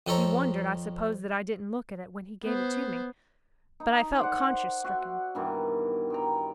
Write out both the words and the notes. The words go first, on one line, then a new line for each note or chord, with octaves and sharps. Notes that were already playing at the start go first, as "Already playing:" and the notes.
He wondered, I suppose, that I didn't look at it when he gave it to me, but I felt conscience-stricken.
F2 C4 A4 C5 C#5 A#5
B3 C5
D#4
C5 D5 F#5
F#4 E5
G2 B2 D#3 E3
G2 G5 A#5